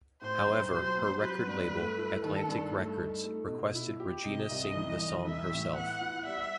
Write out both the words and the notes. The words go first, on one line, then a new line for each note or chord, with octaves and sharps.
However her record label, Atlantic Records, requested Regina sing the song herself.
A2 C5
B1
F#3 C5
B3
F#3 B4
G2
A3
E4
D#3 A4
G2
A3
D#4
A3
B2
E4
G4
C3 D#5
C2
E3
C2
E3 E5
A2
B3 F#5
E4
G3 E5